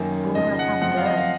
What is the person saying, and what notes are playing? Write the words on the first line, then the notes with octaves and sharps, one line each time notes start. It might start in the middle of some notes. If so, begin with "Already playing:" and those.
Ooh, that sounds good.
Already playing: F#2 D#3 A#3 C#4
F2 C#3 F3 D#5
F#5
F#2 F3 C4 F#5
F5
D#5
F5